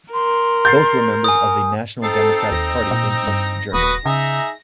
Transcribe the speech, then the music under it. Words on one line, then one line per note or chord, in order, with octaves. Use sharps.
Both were members of the National Democratic Party in East Germany.
A#4 C6
G6 A6 C7
G#5 D#6
C4 D#4 A4 A6 C7
D#2 A#6
A#2
G2
D#1 F#4 B4 D#6
C#3 D#4 G#4 E5